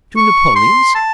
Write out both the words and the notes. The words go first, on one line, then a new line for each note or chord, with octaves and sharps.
"Two napoleons."
C#6
C6
A5